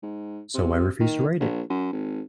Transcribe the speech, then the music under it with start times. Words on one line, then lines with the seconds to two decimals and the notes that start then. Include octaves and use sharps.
So I refused to write it.
0.03 G#2
0.54 C3
1.00 D#3
1.40 A#1
1.70 F#2
1.93 G#1